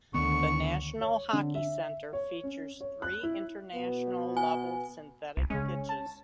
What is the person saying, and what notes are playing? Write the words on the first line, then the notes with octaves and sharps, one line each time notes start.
The National Hockey Centre features three international level synthetic pitches.
D2 D#3 B3 C#6
C#5
D3
E5
C#5
C#4
C#5
F#6
E4
B2 B3
G#5
C2
C#3 G#3 C#4
A5